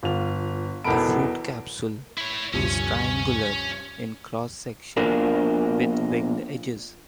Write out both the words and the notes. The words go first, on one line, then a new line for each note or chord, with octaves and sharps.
The fruit capsule is triangular in cross section with winged edges.
G1 F4 F7
B1 E2 A4 A#4 B5 D7
E4 C#5
G1 D2 G2 C3 F3 C#4
B2 F3 A#3 D4 F4 A#4